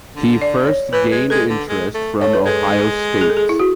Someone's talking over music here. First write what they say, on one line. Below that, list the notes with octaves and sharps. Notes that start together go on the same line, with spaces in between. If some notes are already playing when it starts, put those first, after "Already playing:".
He first gained interest from Ohio State.
D3
D5
C#5
E3 B4
G#3
G#3 A4
D3
G#3
A3
A3 C#5
B4
G#3 A4
G#4
A4
G#4
E4
F#4